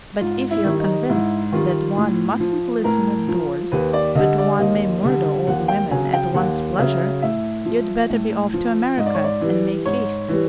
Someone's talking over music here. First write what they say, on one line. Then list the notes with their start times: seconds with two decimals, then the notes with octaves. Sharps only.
But if you are convinced that one mustn't listen at doors, but one may murder old women at one's pleasure, you'd better be off to America and make haste.
0.21 G#2 F4
0.51 E4
0.65 D#3 G3
0.80 D#4
1.09 G#2 E4
1.52 D#3 G3 F4
1.97 A2
2.40 F3
2.84 A2 A#4
3.28 F3
3.72 D#2 B4
3.93 D5
4.15 D3 G3 D#5
4.38 D5
4.59 D#2 D#5
5.03 D3 G3
5.47 D#2 F#5
5.68 G5
5.91 C#3 F#3 G#5
6.13 G5
6.34 D#2 F#5
6.79 C#3 F#3 E5
7.22 A2 E5
7.65 F3
8.09 A2
8.53 F3
8.97 G#2 D#5
9.06 D5
9.15 C#5
9.24 D5
9.41 E3 G3
9.85 G#2 C#5
10.29 E3 G3